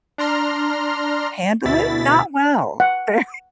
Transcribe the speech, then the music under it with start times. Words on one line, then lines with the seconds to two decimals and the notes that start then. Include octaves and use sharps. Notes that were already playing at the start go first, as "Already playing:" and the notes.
handle it? Not well, very,
0.18 D4 A#5 C6 F6
1.65 D2 B2 E4 A6 B6
2.80 F#5